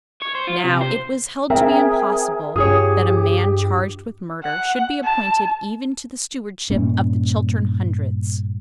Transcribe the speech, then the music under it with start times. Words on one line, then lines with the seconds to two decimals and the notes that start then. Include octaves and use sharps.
Now it was held to be impossible that a man charged with murder should be appointed even to the stewardship of the Chiltern Hundreds.
0.22 C#5
0.35 C5
0.47 F4
0.64 C3
0.81 C5
1.50 C4 G#4 A#4 E5 G5
2.56 G2 F4 G4 G#4 C#5 D#6
4.44 F#5
5.04 A5
6.70 G2 A#2 C#4